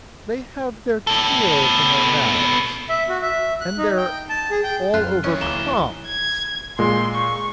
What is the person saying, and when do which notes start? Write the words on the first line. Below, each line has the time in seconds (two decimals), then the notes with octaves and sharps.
'They have their tails in their mouths--and they're all over crumbs.'
1.07 B2 A4
2.89 E5
3.09 F#4
3.22 E5
3.61 F#6
3.78 D#4
3.97 G5
4.29 A5
4.51 G#4
4.64 G5
4.94 F#2 F4 F#6
5.24 E3 C#4 D#5
5.41 D1 A#3 E7 G7
6.07 G#6
6.79 A#2 G#3 C6
7.15 C#6